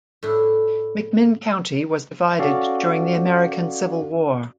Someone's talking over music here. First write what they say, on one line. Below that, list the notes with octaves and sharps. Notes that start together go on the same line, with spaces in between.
McMinn County was divided during the American Civil War.
A2 D4 E4
C#4 F#4 A4 D5 F5